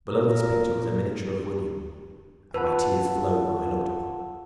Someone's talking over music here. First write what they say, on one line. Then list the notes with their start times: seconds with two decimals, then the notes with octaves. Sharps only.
Below this picture was a miniature of William; and my tears flowed when I looked upon it.
0.10 A#2 A#4
2.54 F4 B4 F#5 A5 E6